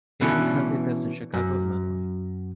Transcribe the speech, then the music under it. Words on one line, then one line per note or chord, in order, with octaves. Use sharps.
Thayer currently lives in Chicago, Illinois.
B2 E3 C#4 D4
F#2